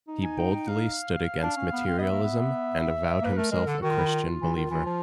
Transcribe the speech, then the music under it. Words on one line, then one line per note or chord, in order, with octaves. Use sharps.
He boldly stood against materialism and avowed himself a Christian believer.
D#4
G#5
G5
G5
F5
D4
C#4
B3
C4
B3 D#5 E5
A#3
B3
A#3 B4
A3 A#4
G#3 A#4
D3 A4
D#3 F#4
F4
E4
F4
E3
D#3
E3
F3